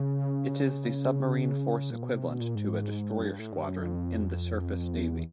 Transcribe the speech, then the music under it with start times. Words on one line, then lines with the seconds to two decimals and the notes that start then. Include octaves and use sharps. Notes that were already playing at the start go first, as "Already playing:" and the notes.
It is the submarine force equivalent to a destroyer squadron in the surface Navy.
Already playing: C#3
1.90 A#2
2.02 B2
2.12 C3
2.27 B2
2.40 A#2
2.55 G#2
3.19 F#2
3.25 G2
3.39 A2
3.52 G2
3.67 F#2
3.82 F2
4.93 E2